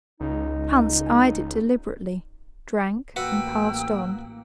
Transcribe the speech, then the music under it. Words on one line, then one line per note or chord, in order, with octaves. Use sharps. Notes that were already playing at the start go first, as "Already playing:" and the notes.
Hans eyed it deliberately, drank, and passed on.
C#2 D#4
A1 A#3 F#4 B4 G5 E6